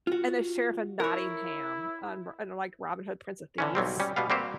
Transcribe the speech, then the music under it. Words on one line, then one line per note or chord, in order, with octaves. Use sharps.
and the Sheriff of Nottingham on Ro on, like, Robin Hood: Prince of Thieves.
F4 F#4
E4 A#4 C#5
D3 E3 C#4
B1 F#3 G3 C4
G3 C#4
B2 G3 B3 F5
G3 A#3 C4 F#4 G4 C5